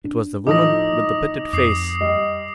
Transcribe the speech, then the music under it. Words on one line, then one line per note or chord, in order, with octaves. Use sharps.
It was the woman with the pitted face.
D4
A2 F3 A3 D#4 D6 D#6 A#6
F2 D6 D#6 C7
G3 D#5